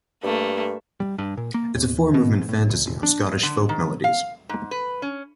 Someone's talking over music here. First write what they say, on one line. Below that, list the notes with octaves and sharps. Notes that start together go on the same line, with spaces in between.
It is a four-movement fantasy on Scottish folk melodies.
G2 A3 A#3
G3
G2
A#2
A#3
D#2
B2
G#2
A2
C#2
E1
D4
D3
D#3
F5
G#2
B4
C#4